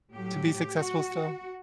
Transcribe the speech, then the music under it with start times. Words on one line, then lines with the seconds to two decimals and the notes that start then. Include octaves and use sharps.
to be successful still?
0.12 A2 F#3 G4
0.78 F#4